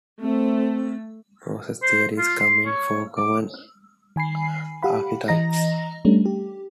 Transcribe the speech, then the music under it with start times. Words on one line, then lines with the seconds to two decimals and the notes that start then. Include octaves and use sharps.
Process theories come in four common archetypes.
0.21 A3 C4
1.83 C5
2.18 F4
2.39 C6
2.66 C#5
3.17 D6
4.16 D#3 G#5 B5 C7
4.83 G4 F5 F#5 B5
5.28 E3 D#5 A#5 A#6
6.05 G3 A3 C#4 D4
6.26 G4